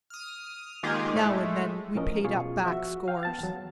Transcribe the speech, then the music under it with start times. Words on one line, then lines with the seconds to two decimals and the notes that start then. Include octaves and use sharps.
Now and then we paid up back scores.
0.10 D#6 F6
0.83 D#3 G#3 A#3 F4 G4 G#4
1.15 A2 G#3 A3
1.95 A2 F3 C#4 A#4 D#5
2.24 B2 F4 G#4 C#6
2.63 F3 F#4 E5
3.08 F5 G5
3.23 B3 A5 A6
3.40 E2 F#3